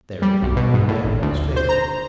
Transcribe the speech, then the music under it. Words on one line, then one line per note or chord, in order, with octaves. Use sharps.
Their opinion of Mary was favourable.
G3
B1
B2
G#2
A2
G#1
D2
C5
A#5